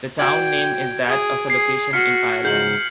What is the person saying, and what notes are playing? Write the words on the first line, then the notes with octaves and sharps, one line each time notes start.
The town name is that of a location in Ireland.
F#4 D5 G5 G#6 D7
G#4
G#4 C7
F#4 F6 B6 C#7
C#2 G#2 G#4 G6 F#7